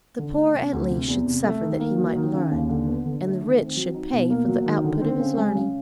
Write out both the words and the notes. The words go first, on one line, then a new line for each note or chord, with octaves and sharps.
The poor at least should suffer that he might learn, and the rich should pay for the output of his learning.
D3
A3
C3
D2
C3
E2
C3
A3
D#3
A#3
F#3
D#3
C#3
D#2
D3
B3
D3
A3
D#3
C4
F#3
D#4
B2
A#3
F#3
D#3
D3
C4
C#3
G#3
C#3